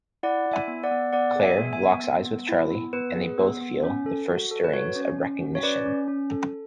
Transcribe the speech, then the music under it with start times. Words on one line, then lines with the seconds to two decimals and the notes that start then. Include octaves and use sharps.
Claire locks eyes with Charlie, and they both feel the first stirrings of recognition.
0.23 E4 D5 F#5
0.46 E4
0.53 E5 G#5
0.68 B3
0.84 D5 F#5
0.91 B3
1.13 B3 D5 F#5
1.36 G#4
1.43 E5 G#5
1.58 B3
1.73 E5 G#5
1.81 B3
2.04 B3
2.26 B3
2.49 E4
2.70 B3
2.93 B3 B4
3.15 G#4
3.38 B3
3.61 B3
3.83 C#4
4.06 A4
4.29 F#4
4.51 A4
4.64 B4
4.73 F#4 C#5
4.96 C#4
5.18 C#4
5.41 F#4
5.55 C#5
5.63 C#4 B4 D5
5.86 C#4
6.08 C#4
6.31 A4